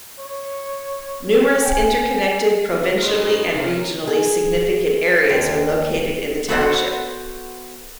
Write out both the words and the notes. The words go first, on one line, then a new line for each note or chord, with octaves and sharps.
Numerous interconnected provincially and regionally significant areas are located in the township.
C#5
G5 G#5
F#2 D#4 A#4 C5 D#5
C3 A#3 C#4 A#4
G#4
D#2
B3 F#4 A4 B4 C5 F#5